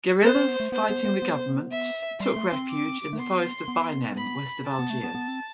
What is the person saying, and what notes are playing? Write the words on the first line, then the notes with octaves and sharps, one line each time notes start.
Guerrillas fighting the government took refuge in the forest of Bainem west of Algiers.
C4 C5
C4
B3
A3
B3 C5
B3
B3
B3
E5
G3 C6
A3
C4
D6
A3
B3 C6
B3
B5
A5
B3
A3
B3
B3
C4